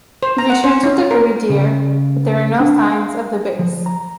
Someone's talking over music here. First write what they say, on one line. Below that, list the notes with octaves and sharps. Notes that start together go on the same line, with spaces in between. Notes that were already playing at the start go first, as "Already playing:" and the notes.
He returns with the Brigadier, but there are no signs of the base.
C5
A#5
F#5
C5
C#4
A#4
C#3
D4
F5
F3
A#5